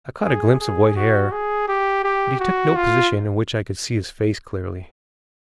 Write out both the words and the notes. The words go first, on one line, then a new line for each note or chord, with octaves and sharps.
I caught a glimpse of white hair, but he took no position in which I could see his face clearly.
G#4
G#4
F#4
G#4
G4
G4
F#4
F4